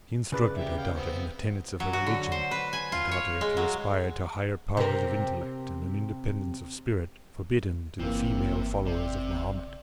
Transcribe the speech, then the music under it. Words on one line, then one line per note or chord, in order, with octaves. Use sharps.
She instructed her daughter in the tenets of her religion and taught her to aspire to higher powers of intellect and an independence of spirit forbidden to the female followers of Muhammad.
C#3 B4 D5
G4 E5
F5 G5
B3 C4
F#3
F#4
D3
C5
B4
G#5
F4
C#5
G#3
F#3
C3 A#4
G1 C3 E3 A#3
C3 D5